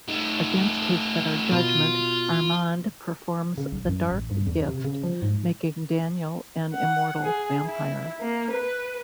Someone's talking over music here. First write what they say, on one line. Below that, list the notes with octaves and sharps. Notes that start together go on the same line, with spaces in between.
Against his better judgment, Armand performs the Dark Gift, making Daniel an immortal vampire.
A3 D#4
B2 F4
C#3
B1
F#2
A1
G2
E2
C3
C#3
F3
G#2
F#5
G#4
E4
A#3
B4